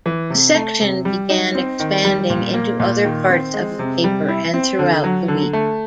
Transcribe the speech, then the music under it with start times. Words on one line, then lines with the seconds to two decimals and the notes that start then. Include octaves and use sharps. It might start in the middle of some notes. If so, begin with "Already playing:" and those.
The section began expanding into other parts of the paper and throughout the week.
0.06 E3
0.30 C3
0.55 A3
0.80 C3
1.05 G3
1.30 D#4
1.55 C4
1.80 D#3
2.05 G3
2.30 A#2
2.54 A#3
2.80 A#2
3.04 D#3
3.29 C4
3.54 G#3
3.79 C3
4.04 G3
4.28 E4
4.54 C4
4.79 D3
5.04 F#3
5.28 D3
5.53 A3